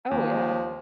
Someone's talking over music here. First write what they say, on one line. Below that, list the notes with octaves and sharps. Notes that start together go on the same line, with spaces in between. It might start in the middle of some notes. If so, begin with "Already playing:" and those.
Oh, yeah.
D#2 F3